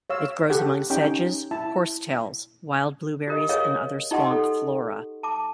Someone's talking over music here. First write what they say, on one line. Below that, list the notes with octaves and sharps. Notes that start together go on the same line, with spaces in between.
It grows among sedges, horsetails, wild blueberries, and other swamp flora.
C#5 F5 E6
G4 A4 F#5
C#4 D#4 G4 G5
E4 A5
G4 A#4 D#5
G#4 A#4 B4 C#5 D#5 F5
D#4 G4 D#5 F#5 C6 C#6
A4
A5 D6